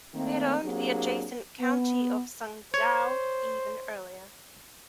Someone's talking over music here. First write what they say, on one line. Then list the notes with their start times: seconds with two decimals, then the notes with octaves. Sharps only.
They had owned the adjacent County of Sundgau even earlier.
0.15 D#3 A3 A#3 C4
0.64 F#3 A#3 C4 D4 G4 G#4
1.60 B3
2.74 C5 C#5